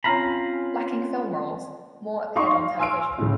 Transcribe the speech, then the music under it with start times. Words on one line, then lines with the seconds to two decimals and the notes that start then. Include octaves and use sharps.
Lacking film roles, Moore appeared on television.
0.04 C4 C#4 F4 F5 A#5 B5
2.36 D#4 F5 C6 C#6
2.55 F5
2.79 G#5 C6 E6 F6 D7
3.18 A2 C#3